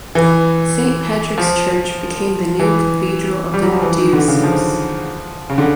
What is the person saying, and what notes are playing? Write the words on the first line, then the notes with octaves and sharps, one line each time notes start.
Saint Patrick’s Church became the new cathedral of the diocese.
E3
F3
E3
G3
F#3
F3
E3
D#3
D3
C#3
F3
C#3
D3